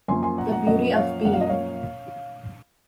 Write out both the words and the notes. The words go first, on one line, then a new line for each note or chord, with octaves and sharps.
The beauty of being.
F#2 F3 A#3 G#5 C6
G#5 C6
F#5 A#5
F#5 A#5
F#2 F3 A#3 D#5 F#5
C#5 F5
F#2 F3 A#3 F#5
F5
D#5
C#5 F5